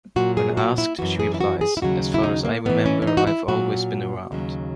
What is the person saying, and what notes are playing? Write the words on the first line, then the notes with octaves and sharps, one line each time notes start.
When asked, she replies, As far as I remember, I've always been around.
A#2 F#3 F#4
G#4
F#4
E4
F#2 E3 F#4
G#4
E4
F#4
G#4
E4
D#2 C#3 F#3 F#4
E4
D#4
A#3
G#2 E3 B3
C#4
C#4
D#4
F#4
E4
A#2 F#3 F#4
D#2 C#3 F#3